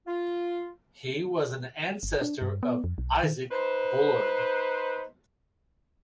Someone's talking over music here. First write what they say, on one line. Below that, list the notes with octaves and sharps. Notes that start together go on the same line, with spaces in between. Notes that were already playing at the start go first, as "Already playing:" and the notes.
He was an ancestor of Isaac Bullard.
F4
G1
D4
G2
B3
F2
B1
D#3
D#4 B4 C5